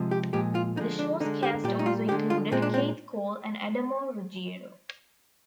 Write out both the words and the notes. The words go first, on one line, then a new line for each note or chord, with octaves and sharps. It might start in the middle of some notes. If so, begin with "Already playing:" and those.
The show's cast also included Keith Cole and Adamo Ruggiero.
Already playing: C3 F3 G#3
G4
A#2 F3 G#3 G4
F4
D3 F3 G#3 D#4
D4
D3 G#3 D#4
G4
A#2 G3 G4
D#4
F4
D3 G#3 G4
F4
A#2 G#3 C4
D4
C4